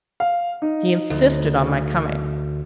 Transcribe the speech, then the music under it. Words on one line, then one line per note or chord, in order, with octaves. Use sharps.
He insisted on my coming.
F5
D#4
D2